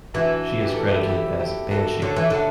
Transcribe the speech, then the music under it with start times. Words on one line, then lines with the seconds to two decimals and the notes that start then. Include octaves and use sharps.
She is credited as "Banshee".
0.14 E3 D4 F#4
0.61 G4
0.74 A4
0.88 E4 G4
1.08 E4 G4
1.39 E4 G4
1.71 F#4 A4
2.02 D3 A4 C#5
2.16 E3
2.30 D3 F#5 A5